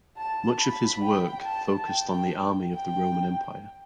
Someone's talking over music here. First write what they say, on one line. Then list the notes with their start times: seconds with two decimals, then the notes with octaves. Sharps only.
Much of his work focused on the Army of the Roman Empire.
0.17 A5
0.60 B5
1.03 G5
1.45 A5
1.88 G5
2.74 G5